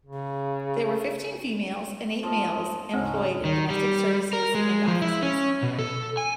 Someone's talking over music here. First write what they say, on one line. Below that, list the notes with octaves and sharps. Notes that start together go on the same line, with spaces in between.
There were fifteen females and eight males employed in domestic services and offices.
C#3
G#2 F3 D#5
D2 G#2 C#3 C4 C#4 D#4
D#3
G3
A#4
G#3
F3
E4
C#4
B2
A4
G#5